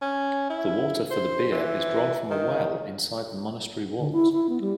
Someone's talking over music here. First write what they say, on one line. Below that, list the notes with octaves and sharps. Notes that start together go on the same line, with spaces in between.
The water for the beer is drawn from a well inside the monastery walls.
C#4
E4
C5
E3
D#3
D3
E4
E4
B3
G3